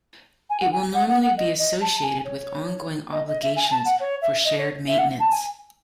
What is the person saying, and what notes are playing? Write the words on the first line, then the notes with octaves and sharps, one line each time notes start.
It will normally be associated with ongoing obligations for shared maintenance.
G#5
F#5
G#5
F#5
F#5
F#5
D#5
D#5
A5
G#5
C#5
D#5
D#5
E5
G#5
A5
F#5
C#5
E5
D#5
C#5
E5
F#5
A5
G#5